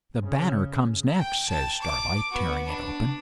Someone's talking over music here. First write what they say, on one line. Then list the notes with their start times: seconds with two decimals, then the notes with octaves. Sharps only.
'The "Banner" comes next,' says Starlight, tearing it open.
0.24 C#3
1.19 G5
1.49 A5
1.83 D6
2.31 B3 F#4
2.66 D4